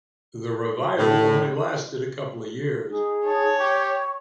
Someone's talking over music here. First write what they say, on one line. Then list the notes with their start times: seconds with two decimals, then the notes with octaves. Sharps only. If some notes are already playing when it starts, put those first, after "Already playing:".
The revival only lasted a couple years.
0.98 A2
2.90 D#4 G#4
3.26 C#5 A5
3.59 G4 C#6